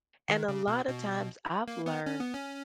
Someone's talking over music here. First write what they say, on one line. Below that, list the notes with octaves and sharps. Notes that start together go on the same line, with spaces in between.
and a lotta times I've learned
D#3
C#3
B2
B2
A#3
B3
C#4
B3
C#4